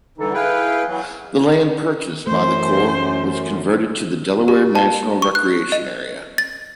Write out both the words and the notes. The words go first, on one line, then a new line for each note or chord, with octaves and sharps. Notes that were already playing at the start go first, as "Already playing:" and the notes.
The land purchased by the Corps was converted to the Delaware National Recreation Area.
D3 E3 G3 D#4 A4
E4 G#4 B4 F5 G5
E3 F#3
F#2 E3 A3 C5
G4
A5
C#6
F#6
D#5
A6